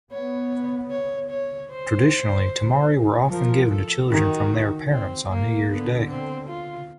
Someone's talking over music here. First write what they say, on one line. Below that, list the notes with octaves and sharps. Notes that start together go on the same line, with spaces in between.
Traditionally, temari were often given to children from their parents on New Year's Day.
B3 C#5
C#5
C#5
C5
F3 A#4
A4
D#3 F#4
C4
A#3
D3 B3
C4
F4